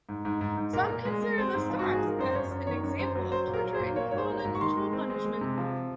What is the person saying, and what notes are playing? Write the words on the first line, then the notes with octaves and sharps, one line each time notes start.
Some consider the stocks as an example of torture and cruel and unusual punishment.
G#2
G#2
G#2
G#2
A#2 A#4
A#2
G#3
G#3
C4 C5
G#2
F3
F#4
G#2
G#4
F3 A#4
F#2 C5
F#2 C#5
F#2
D#3 C#5
F#2
F#2 C5
F#3
F#3 C5
A#2
A#4
F#3
C5
A#2
A#3 C#5
G#2 C#5
C5
A#3
A#5
G#2
C#6
D#3 C6
G#3
C4
G#3
G#3
C3
F3